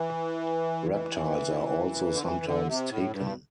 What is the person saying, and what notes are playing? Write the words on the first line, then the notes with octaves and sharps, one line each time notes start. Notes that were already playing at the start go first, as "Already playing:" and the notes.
Reptiles are also sometimes taken.
Already playing: E3
E3
D3
E3
D3
C3
A2
G2